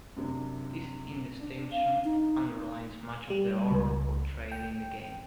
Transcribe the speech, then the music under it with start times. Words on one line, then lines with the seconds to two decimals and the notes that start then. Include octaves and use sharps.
This indistinction underlines much of the horror portrayed in the game.
0.16 F#2 C3 D4
1.40 D4
1.72 F5
2.05 D#4
3.30 G3
3.71 C#2
4.52 G5